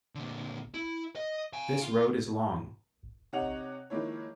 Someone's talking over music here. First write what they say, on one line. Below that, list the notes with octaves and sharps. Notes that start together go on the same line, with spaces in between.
This road is long.
A#2 D3
E4
D#5
F5 G#5
F4
C3 D#4 C#5 F#5 F#6 F7
D#3 F3 G#3 A#3 E4 C#5